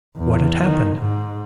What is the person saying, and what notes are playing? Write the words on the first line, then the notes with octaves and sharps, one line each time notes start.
What had happened?
E2
D#3
G#2